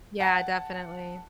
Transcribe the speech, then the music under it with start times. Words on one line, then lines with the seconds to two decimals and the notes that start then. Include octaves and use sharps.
Yeah, definitely.
0.20 F#5 A5